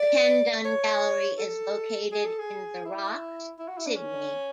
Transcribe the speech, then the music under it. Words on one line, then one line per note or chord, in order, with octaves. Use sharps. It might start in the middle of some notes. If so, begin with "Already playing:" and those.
The Ken Done Gallery is located in The Rocks, Sydney.
Already playing: D5
C#5
A4
G#4
A4
G#4
E4
E4
F#4
E4
D4
C#4